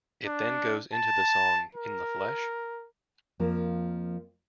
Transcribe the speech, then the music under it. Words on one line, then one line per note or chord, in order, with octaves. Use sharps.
It then goes into the song In the Flesh?
D4
A5
A#4
F2 F3 A#3 A#4